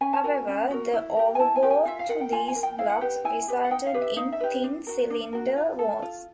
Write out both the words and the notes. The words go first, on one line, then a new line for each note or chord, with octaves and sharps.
However, the overbore to these blocks resulted in thin cylinder walls.
C#4 G#5
A5
F#4 A#4 G#5
C#4
F#4 A#4
E4
G4 A#4
G#5
E4 A5
G#5
G4 A#4
G#5
F4 E5
F5
A#4 F#5
G5
F4 G#5
G#5
A#4
G5
E4 F5
F#5
G4 B4 G5
E4 G#5
G4 B4
F#5
D#4 G5
F5
G4 B4
E5
D#4 F5
E5
G4 B4
D4
F#4 A#4
D4
F#4 A#4
F4
A4
F4